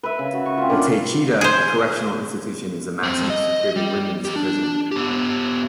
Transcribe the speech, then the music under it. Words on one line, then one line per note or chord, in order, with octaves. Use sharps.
The Taycheedah Correctional Institution is a maximum security women's prison.
B4 E5
C#3
F#4
C#6
C4 F4
C#4 D4 A#4 D5
G#4 C5
F2 C4
D#5
G3
D#2 G4
D4
B3 G4